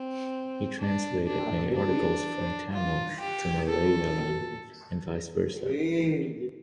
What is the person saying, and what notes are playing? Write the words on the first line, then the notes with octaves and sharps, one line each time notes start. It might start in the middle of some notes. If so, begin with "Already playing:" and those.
He translated many articles from Tamil to Malayalam and vice versa.
Already playing: C4
D4
D4
D4
F4
G4
A4